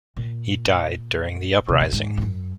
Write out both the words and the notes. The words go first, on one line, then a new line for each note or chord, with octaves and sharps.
He died during the uprising.
A#2
C3
A#2
G#2
F2
F#2